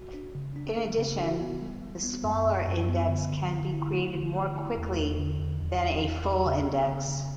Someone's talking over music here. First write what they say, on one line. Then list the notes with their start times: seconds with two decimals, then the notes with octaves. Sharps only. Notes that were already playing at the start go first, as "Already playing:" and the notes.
In addition, the smaller index can be created more quickly than a full index.
Already playing: F#4
0.14 D4
0.35 C#3
0.56 D4
0.77 D4
0.98 C#3
1.19 F#4
1.41 B3
1.61 G3
1.83 G3
2.03 B3
2.24 F#2
2.46 F#2
2.67 F#2
2.88 B3
3.09 D3
3.29 D3
3.51 D3
3.72 E4
3.93 A3
4.15 D3
4.35 A3
4.56 E4
4.77 E2
4.98 E2
5.19 D3
5.40 E2
5.62 E2
5.82 E2
6.04 E2
6.25 E2
6.46 C#3
6.66 B3
6.88 C#3
7.09 C#3